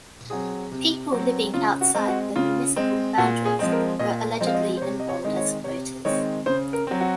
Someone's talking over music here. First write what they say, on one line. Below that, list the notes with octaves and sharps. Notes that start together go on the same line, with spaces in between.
People living outside the municipal boundaries were allegedly enrolled as voters.
F#3 C4 G#4
C3
F#3 C4
C#3 F4
F#4
G#3 C4
F#4
C#3 F4
G#3 C4
A#2 F#4
G#4
F3 G#3 C4
A#4
A#2 D#5
F3 G#3 C4
F5
D#5
C5
C3 C#5
D#5
C#5
D#3 G#3 C4
C#5
C3 C#5
D#3 G#3 C4 C#5
C#3 C5
A#4
F#3 C4
F#4